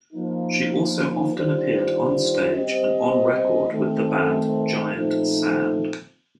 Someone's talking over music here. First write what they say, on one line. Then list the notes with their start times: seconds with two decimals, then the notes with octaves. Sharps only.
She also often appeared onstage and on record with the band Giant Sand.
0.13 F3 A#3 D#4
1.33 D#3 G3 D4 F4 C5
2.53 G3 C4 G4 C5 D#5
3.71 D#3 A3 C4
4.92 A#2 F3 A3 C4 D#4